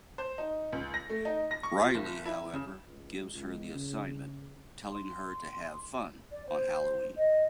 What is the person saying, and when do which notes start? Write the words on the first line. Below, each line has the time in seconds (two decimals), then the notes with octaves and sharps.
Riley, however, gives her the assignment, telling her to have fun on Halloween.
0.18 C5
0.38 D#4
0.73 C#2
0.94 A#6
1.10 A3
1.25 D#4
1.51 A#6
1.63 C#6
1.80 F4
1.94 F#1
2.25 E4
2.53 C#3
2.87 C#2
3.33 C#2
3.73 C#3
4.90 C6
6.32 D5
6.48 C5
7.17 D#5